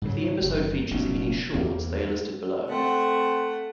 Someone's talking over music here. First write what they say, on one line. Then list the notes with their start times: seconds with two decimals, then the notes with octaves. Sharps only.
If the episode features any shorts, they are listed below.
0.02 G#2 C#3 F#3
0.41 F#1
0.90 F1 B1 A#2 C#4
1.54 E2 A#3 C4
2.69 A3 C4 F#5